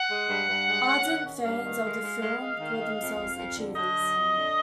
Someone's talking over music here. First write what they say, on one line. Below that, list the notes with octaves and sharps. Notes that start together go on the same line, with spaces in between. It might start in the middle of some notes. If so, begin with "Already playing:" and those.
Ardent fans of the film call themselves "achievers".
Already playing: F#5
G#3
G2
G2
G#3
C#4
D#3
C#4
G2 F5
D#3
G#3
G#3
G#3
G#3
D#3
G#3
F2
F2
F2
D3
D3 D#5
F#3
F2
D3